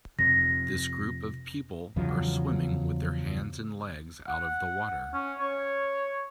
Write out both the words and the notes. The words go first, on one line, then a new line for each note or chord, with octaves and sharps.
This group of people are swimming with their hands and legs out of the water.
F2 C3 A#6
E2 C#3 F3 F#3
F#5
C#4
C#5